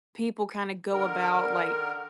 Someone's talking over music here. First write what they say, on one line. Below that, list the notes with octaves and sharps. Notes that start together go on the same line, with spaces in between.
people kinda go about, like,
D3 D#3 A#4